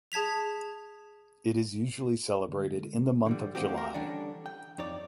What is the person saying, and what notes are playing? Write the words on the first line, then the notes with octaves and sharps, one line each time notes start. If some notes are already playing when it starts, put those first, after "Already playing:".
It is usually celebrated in the month of July.
G#4 A5 G#6 B6 F7
D3 G#3
D3 E3 G3
D#3 A3 A#3 C4 F#4 G4
A#4
D3 E3 G3 C#4 D4
G5
F2 D#4 C#5 D5